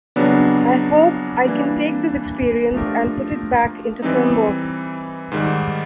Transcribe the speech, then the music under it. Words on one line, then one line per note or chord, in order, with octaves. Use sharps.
I hope I can take this experience and put it back into film work.
F2 C#3 F#3 B3 D4
E3 G3 A#3 D4
F3 A3 D4 G4 A#4
E3 G3 C4 D#4
G#2 D#3 G3